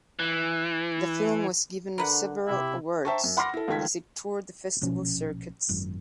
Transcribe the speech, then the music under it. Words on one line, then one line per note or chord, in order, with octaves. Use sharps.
The film was given several awards as it toured the festival circuits.
E3
D3 A#4 B4 F#5
C3 E4 G4
C5 E5 G5 A5 A#5 C#6
F#2
F#5 B5 C6 D6 F6 A#6
E4 A4
C#2 D#3 A3 G#6 B6
A#1 B2 F3 C#4
G#1 F#2